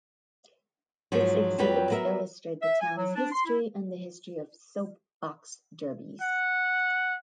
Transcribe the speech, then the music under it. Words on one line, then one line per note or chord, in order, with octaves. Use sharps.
Its exhibits illustrate the town's history and the history of soap box derbys.
G#2 F3 F#3
F2 F#3 G3 G4 B4 G5
F#3 B3 A#4 E5
E5
G#5
F#3
D4
C6
E4
F#5